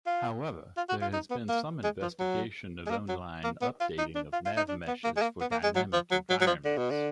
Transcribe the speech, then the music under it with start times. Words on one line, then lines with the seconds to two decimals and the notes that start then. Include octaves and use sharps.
However, there has been some investigation of online updating of navmeshes for dynamic environments.
0.06 F4
0.77 F4
0.89 F#4
1.01 F4
1.13 D#4
1.30 B3
1.48 A#3
1.83 G#3
2.02 F3
2.19 F#3
2.86 G#3
2.90 A#3
3.08 F#3
3.44 A#3
3.61 B3
3.80 F4
3.98 D#4
4.15 D4
4.33 F4
4.45 F4
4.57 D#4
4.69 D4
4.87 B3
5.04 A#3
5.16 G#3
5.22 A#3
5.41 B3
5.51 A#3
5.64 G#3
5.75 F#3
5.93 F3
6.11 F#3
6.29 F#3
6.41 F#3
6.46 F3
6.64 D3
6.77 B2
6.90 D3